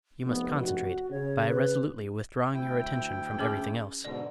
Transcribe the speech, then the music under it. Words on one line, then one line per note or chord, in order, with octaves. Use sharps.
You must concentrate by resolutely withdrawing your attention from everything else.
F1 B3
F#4
C#3 C#5
B4
D2 E4 G5
C#4 G#4 D6
G#2 B2 D3 D5